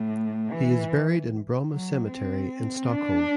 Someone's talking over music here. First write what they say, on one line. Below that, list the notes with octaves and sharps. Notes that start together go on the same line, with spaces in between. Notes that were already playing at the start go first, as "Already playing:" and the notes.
He is buried in Bromma Cemetery in Stockholm.
Already playing: A2
E3
F#3
C4
D4